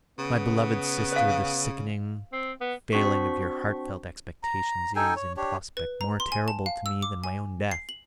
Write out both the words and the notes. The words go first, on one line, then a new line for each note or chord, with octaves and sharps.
My beloved sister, the sickening failing of your heart-felt expectations is, in prospect, more terrible to me than my own death.
C#3 B3
C5 F5
C4
B3
C4 D4 F#4 C5 C#6 B6
A#5
D#4 A4 G5 G#5
C#5
D4 G4 C#5
B4
A#5
C6
G#5
A5
F5
E6
D6
G#5
C7
F#7